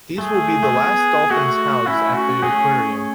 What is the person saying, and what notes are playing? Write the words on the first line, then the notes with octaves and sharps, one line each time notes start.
These will be the last dolphins housed at the aquarium.
A3 G#4
A3
B3
A3 F#4
A3 C#4 E4
F#4
A3 C#4 G#4